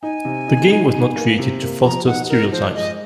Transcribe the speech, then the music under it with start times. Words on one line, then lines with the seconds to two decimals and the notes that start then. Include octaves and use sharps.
The game was not created to foster stereotypes.
0.02 D#4 G#5
0.25 C3
0.48 D#4
0.71 D#4
0.93 D#4
1.15 A#3
1.39 C3
1.61 A#3
1.84 F3 A#5
2.06 D#4 F#5
2.29 D#4 A#4
2.52 F3 C5
2.74 G#3 D#5